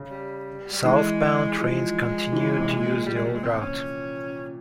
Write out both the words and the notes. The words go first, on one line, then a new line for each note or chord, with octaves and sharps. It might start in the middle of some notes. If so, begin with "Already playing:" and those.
Southbound trains continued to use the old route.
Already playing: C#3
G3
G3
E3 G#3
F3 G#3
E3
E3
C3
A#2
G3
G#3
G3
G#3
C4
C#4